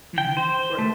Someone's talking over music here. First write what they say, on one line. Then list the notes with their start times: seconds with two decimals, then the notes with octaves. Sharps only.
Mhm. Right.
0.18 G5
0.37 C5
0.79 A3